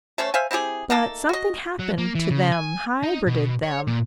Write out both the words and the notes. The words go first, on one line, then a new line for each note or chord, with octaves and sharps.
But something happened to them, hybrided them.
A3 C#4 C5 C#5
C5 E5 F5 G#5
C4 E4 G4 G#4
D#3 A3 A#3 A4
F#4 D#5
F#3
A#3
E3
C#3
G#5
D#4
B2
C#5
A#2